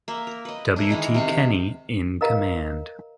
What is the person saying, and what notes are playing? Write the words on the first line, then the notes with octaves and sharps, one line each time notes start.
W. T. Kenny, in command.
A#3 E5
A#4
B4 D#5
D4 E4 A#4
D#3 E3 G#3 D#4
C3 F5 C#6
A#4 B4 D#5 F5 A#5